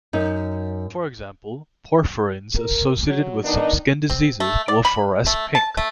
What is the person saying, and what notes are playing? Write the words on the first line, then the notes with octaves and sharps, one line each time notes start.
For example, porphyrins-associated with some skin diseases-will fluoresce pink.
F#2 D#4
A#4
F#3
D#3 B3 D4 D#4
C4
A3
D5
B5
A3
A5
A3